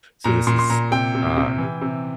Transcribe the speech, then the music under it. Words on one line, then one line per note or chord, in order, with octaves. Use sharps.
So, this is, um,
A#2 A#5
A#2 C6
C6
A#2 A#5
C3 G5
C3
C3
E3
C3